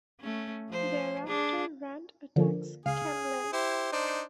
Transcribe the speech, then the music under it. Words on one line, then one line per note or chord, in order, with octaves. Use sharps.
Thereafter Rand attacks Caemlyn.
A3 C#4
F3 C5
D4 G#4
D3 F3 A#3
C#2 G#4 F5
E4 G4 C5
D4 D#4 C5